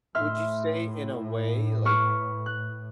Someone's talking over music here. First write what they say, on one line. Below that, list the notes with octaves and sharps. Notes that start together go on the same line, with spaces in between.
Would you say in a way like,
A2 E5 C6 F6
B4 C#6 F6
F#6